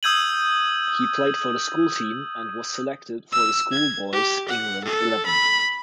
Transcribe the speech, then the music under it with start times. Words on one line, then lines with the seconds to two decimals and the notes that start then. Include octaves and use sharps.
He played for the school team and was selected for the schoolboys' England eleven.
0.03 D#6 E6 G6 G#6 D#7 F#7
3.33 E6
3.72 G#6
4.13 G4
4.49 F#5
4.85 A4
5.26 B5